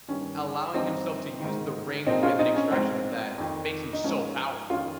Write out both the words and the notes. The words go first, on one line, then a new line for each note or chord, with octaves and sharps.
allowing himself to use the ring with an extraction of that makes him so powerful.
G2 D#3 C#4
G2 F3 C4 D#4
G#2 D#3
A#2 F3 C4 D#4
C#4 F4
C4 D#4
C#4
G#2 F3 C4
F2 D#3
D#4
G#2 F3 C#4
F2 D#3 C#4 F4